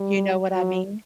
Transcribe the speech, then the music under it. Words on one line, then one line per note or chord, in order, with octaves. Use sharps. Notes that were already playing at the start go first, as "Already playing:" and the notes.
You know what I mean?
Already playing: G3
F#3